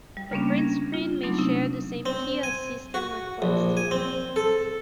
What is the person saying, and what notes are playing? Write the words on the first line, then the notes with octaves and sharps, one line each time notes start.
The print screen may share the same key as system request.
G3
C#3 G3 A#3 B3 C#4 D4
C#4 G#6 A#6
F4
F#3 A3 B3 C4 D4 D#4
C3 C#4 D#6
C4
G#5
F#4
A#1
G#5
C4
A4